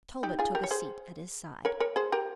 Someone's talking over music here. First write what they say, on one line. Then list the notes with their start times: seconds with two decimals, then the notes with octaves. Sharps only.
Talbot took a seat at his side.
0.23 D#4 G4
0.39 F4 G#4
0.55 G4 A#4
0.64 C#5
0.71 G#4 C5
1.65 A#4 C#5
1.80 A#4 C#5
1.96 G#4 C5
2.12 G4 A#4